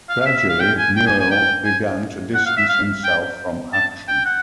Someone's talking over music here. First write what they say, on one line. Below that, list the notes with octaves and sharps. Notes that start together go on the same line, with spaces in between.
Gradually, Muehl began to distance himself from "Aktion".
F5
F5
E5
E5
F5
G5
G#5
G5
G#5
G#5
G5
G#5
F#5
F5
E5
F5
G5
A5
G5
F#5